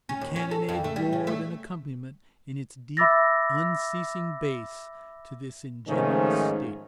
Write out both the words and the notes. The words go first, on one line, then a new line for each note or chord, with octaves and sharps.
The cannonade roared an accompaniment in its deep, unceasing bass to this ingenuous statement.
C#4
D#2
C#4
A4
F2
A3
G3
C#3
A3
E5 B5 D6 E6 A6 A#6
G#2 D#3 F3 A3 C#4